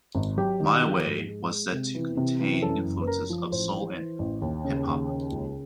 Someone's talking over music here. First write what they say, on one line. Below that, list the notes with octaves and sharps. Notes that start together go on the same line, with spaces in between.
"My Way" was said to contain influences of soul and hip hop.
G#1
F#3 G4
D#3
F3
G#2
G#3
G#3
C3
E3
C3
E3
F#2 A4
F#1
B4
F#2 A#4
F3
A1 C5
E3
E3
A1
D#2
C#3
D#2
C#3
C#2